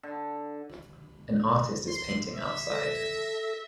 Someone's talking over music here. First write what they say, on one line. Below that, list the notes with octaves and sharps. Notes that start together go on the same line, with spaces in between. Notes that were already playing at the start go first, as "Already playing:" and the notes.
An artist is painting outside.
D3
C6
E5
A4 A#6